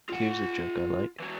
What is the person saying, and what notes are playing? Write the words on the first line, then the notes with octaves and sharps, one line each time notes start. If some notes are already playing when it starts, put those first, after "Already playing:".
Here's a joke I like.
F4 F#5
E3 F#4